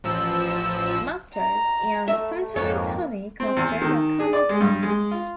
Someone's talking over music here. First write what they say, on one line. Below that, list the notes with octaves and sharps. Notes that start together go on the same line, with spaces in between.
Mustard and sometimes honey mustard are common condiments.
A1 F3 E6
A#5
A3 E5
F2 G#2 A#3 C#5
C4
E2
D#3
G#4
D5
G#3
G2
G#3
F4